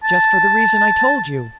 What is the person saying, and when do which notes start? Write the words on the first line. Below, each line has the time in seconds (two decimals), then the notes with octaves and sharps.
"Just for the reason I told you."
0.04 A5